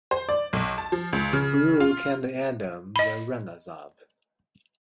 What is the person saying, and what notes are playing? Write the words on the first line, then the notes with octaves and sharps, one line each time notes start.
Brooke and Adam were runners-up.
C5
D5
B1
A5
F3
C#2
C#3
F4
D#5 B5